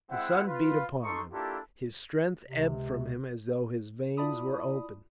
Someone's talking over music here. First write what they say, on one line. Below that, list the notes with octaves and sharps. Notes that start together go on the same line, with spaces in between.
The sun beat upon him; his strength ebbed from him as though his veins were opened.
G#3 C4 E4 E5 F#5
F4 B4
D#4 A4 C6 C#6
A#3 D4 E4 F4 G4 A4
C#2 C3
E4 F4 D5 A5 B5 D#6